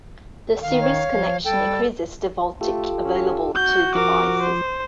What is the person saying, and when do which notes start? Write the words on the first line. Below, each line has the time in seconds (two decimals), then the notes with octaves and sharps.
The series connection increases the voltage available to devices.
0.62 D#3 F5
0.80 C#5
1.10 F3
1.44 G3 A4 G5
2.61 A3 F4 G4 A4
3.05 C#4
3.55 F#4 G6
3.95 F3 A#4 D6
4.43 C5